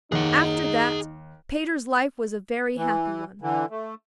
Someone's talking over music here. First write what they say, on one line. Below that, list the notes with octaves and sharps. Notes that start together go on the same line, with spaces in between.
After that Peter's life was a very happy one.
D#2 D#4 G#4 F#5
E3
D3 E3
A3